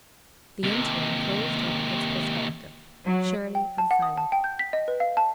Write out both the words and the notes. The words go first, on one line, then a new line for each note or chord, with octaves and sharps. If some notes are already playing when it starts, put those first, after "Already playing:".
The interim closed up its perspective surely and silently.
D#2 C3
F#3
G5
A5
F#5
D#6
A5
G5
G6
B6
D#5
B4
F5
A5